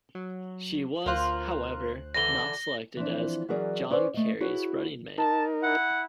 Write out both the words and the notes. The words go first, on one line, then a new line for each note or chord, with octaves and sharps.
She was, however, not selected as John Kerry's running mate.
F#3
D2 F4 A#4 C5 F#6
D3 E3 D4 A#6 G7
E3 F3 C4 D4
E3 F#3 C#4 G#4 A#4 D5
C#4 B4 C5 D5
A3 D#5
E4 F#4 G#4 B4 C#5
D#4 A#4 A5
E4 F#5